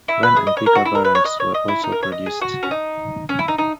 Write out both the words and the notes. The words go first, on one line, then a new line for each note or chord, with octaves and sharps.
Van and pick-up variants were also produced.
E4
B4
G#4
D#5
C#5
A#4
F#4
E4
A#4
B4
C#5
D#5
C#5
D#5
E4
D#4
A#4
C#5
D#5
G#4
F#4
C#4
D#4
C#4
E4
D#4
D#4